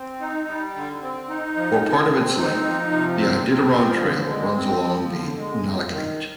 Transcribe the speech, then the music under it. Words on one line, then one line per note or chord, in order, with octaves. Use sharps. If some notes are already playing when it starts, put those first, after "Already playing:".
For part of its length, the Iditarod Trail runs along the Unalakleet.
Already playing: C4
D#4
G3
D3
C4
D#4
F3
C3
C4
D#4
F3
C3
C4
C4
F3
D3
G#3
C4
F3
D3
G#3
F2
D#3